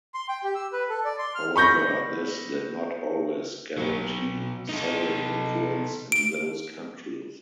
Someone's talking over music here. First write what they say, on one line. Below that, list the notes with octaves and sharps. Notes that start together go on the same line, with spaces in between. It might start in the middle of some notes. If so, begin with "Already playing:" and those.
However, this did not always guarantee Soviet influence in those countries.
C6
G5
G4
E6
B4
A4
D5
C6
F6
B5 C#6 G6 A#6
B2 F#3
D#4 A4
D7